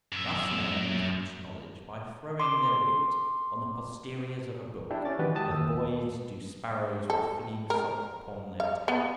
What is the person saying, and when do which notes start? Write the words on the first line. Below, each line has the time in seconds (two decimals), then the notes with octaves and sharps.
Thus men catch knowledge by throwing their wit on the posteriors of a book, as boys do sparrows with flinging salt upon their tails.
0.12 F#2 E5
2.40 C6 D6
4.91 D4 E4 G4
5.05 C#4 D6 A6
5.19 D#3 E3 G#3 F#4 G4 B4
5.35 G4 A5 D#6
5.50 D#2 D#6 E6
7.10 A4
7.70 A#4
8.60 F5
8.88 B3